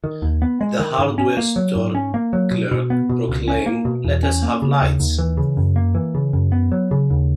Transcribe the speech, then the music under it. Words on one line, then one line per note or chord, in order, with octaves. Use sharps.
The hardware store clerk proclaimed, "Let us have lights!"
D#3
D#2
B3
G#3
D#3
G#2
C#4
A#3
F#3
G#2
C#4
A#3
F#3
B2
B2
B3
B2
C#2
C#4
A#3
B2
E2
C#4
A#3
C#3
D#2
D#2
E3
C#3
F#2
A#3
E3
C#3
F#2
B3
F#3
C#3
D#2